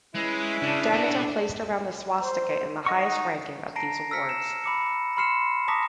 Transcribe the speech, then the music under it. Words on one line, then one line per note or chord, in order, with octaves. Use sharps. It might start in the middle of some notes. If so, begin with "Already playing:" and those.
Diamonds are placed around the swastika in the highest ranking of these awards.
G#3 C#4 E4 B4
C#3 D4
B2 F#4
C5
D#4 D#5 F#5 C#6
A5 A#5 A#6 C7 D7
E6 F6 B6 C#7
E7
B5 D6 C#7
B5 C6 F6 C7 C#7 E7
A5 A#5 D6 D#6 A#6 B6